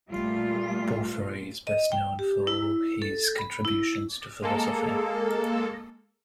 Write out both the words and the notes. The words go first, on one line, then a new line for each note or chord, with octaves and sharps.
Porphyry is best known for his contributions to philosophy.
A#2 G3 A3 F4
D#5
G5
G4
E4
A4
B5
E4
G#3 A#3 A4